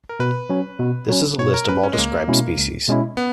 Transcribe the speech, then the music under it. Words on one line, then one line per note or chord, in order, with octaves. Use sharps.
This is a list of all described species.
A#4
B2 B4
F#3 C#4
B2
F#3 C#4
B2 C#5
A#4
F#3 C#4 B4
C#4
G#3
C#2 A#3
B2 G#3 C#4 E4
C#2
B2 G#3 C#4 E4
B3